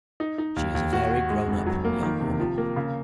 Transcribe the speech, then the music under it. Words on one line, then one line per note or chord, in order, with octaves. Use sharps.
She is a very grown-up young woman.
D#4
D#4
D#2
D#2
F#4
F#4
G#3
F1
F#3
A#3
D#3
C3
F3
A#3
C#3